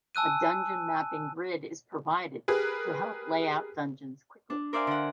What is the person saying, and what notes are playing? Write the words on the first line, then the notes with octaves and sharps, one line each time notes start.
A Dungeon Mapping Grid is provided to help lay out dungeons quickly.
G#5 A5 E6 F#6 D#7
G4 G#4 A#4 B4
D4
A#4 C5 D5 E5 F5 G#5
D3 F#5